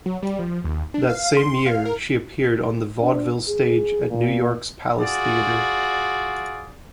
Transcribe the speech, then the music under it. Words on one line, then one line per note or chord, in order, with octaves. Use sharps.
That same year, she appeared on the vaudeville stage at New York's Palace Theatre.
F#3
G3
F3
D#2
D4
F5
C6
F5
A#4
D4
G#4
A#2
F4 F#4 G#4 D5